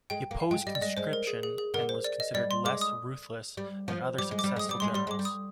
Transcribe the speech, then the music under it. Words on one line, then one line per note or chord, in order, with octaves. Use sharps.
He opposed conscription and was considered less ruthless than other successful generals.
G#3 G5
A#3
F5
G#3 G5
G3 D#5
D5
G#3 D#5
G#3 C5
A#4
G#4
G#4
G#4
D3 A#4
C5
D5
D#5
G3 D5
C6
G#3 D6
D#6
G3
F3
G3 D6
G#3
D6
G3
G#3 D#6
G3 D6
G#3 C6
G3 C6
G#3 D6
G3
D#6